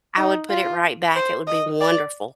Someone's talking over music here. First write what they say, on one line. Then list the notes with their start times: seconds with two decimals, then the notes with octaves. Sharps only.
I would put it right back, it would be wonderful.
0.17 D#4
0.50 F4
1.16 C5
1.47 D#5
1.81 D5